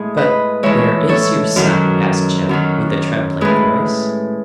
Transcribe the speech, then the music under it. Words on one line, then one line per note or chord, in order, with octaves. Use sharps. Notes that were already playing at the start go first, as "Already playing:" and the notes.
'But where is your son?' asked Jem, with a trembling voice.
Already playing: A2 G#3 G#4
B4 D#5
A2 E3 G#3 C#5 E5
A4 C#5
F#2 D#3 F#3
F#2 D#3 F#3
A2 G#3 G#4 B4